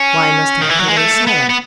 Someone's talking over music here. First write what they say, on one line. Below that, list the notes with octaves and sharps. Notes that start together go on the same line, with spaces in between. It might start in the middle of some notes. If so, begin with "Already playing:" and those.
"Why must I put away Sarah?"
Already playing: C#4
D#3
E3
F#3
G#3
A3
B3
B3